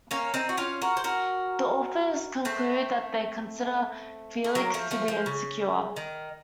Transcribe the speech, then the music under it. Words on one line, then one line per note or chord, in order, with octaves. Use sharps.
The authors conclude that they consider Phelix to be insecure.
A#3 C#4
C4 D#4
F#4
C#4 F4
F#4 A#4
C5
F#4 A#4
A3 C4
A3
F#3 A#3
F3 A3
F3 A3
F3
C#3
D#3